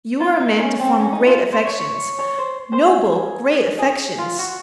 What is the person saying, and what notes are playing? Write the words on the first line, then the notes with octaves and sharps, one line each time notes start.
You are a man to form great affections,--noble, great affections.
F4
D#4
C#4
C4
C#4
D#4
F4
C5
C#5
C#5
C#5
C5
C5
G#4
G#4
F4
F#4